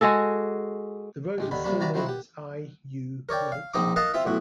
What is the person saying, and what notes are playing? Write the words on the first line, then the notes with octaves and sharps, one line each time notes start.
The road is still known as I U Willets Road.
G#3 F#4 G#4 A4
A1 G#3 G4
D#2 D3 D#3 B5
C3 G3 A#3 D4 B5 C#6
C3 F#4 D5 A#5 B5
F3 F#3 C4 D#4 E4 F#4
G4 F#5
A#4 C#5 D5 G5
F5
A#1 C4 D#4 A#5 D6
A#4 D#5 F5 F#5 A5 A#5
C4 F4 E5
B1 A2 F#4